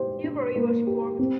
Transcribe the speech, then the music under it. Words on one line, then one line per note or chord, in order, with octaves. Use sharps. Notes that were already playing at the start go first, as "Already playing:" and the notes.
Newbury was formed.
Already playing: G4 C5
D4
A#3
G4
C4